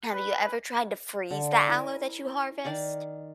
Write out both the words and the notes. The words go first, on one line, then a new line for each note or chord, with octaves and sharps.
have you ever tried to freeze the aloe that you harvest?
B4
D3
E4 A#4 G#5
D#3 D5 F5